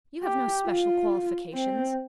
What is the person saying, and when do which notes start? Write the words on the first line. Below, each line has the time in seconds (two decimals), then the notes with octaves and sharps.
You have no special qualifications.
0.23 G4
0.67 F4
1.53 C4